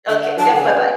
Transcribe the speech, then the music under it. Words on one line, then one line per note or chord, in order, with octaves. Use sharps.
Okay, yep, bye-bye.
D3 E5
F#5
F#3 A5
E3
D3 G#5
C#3
B2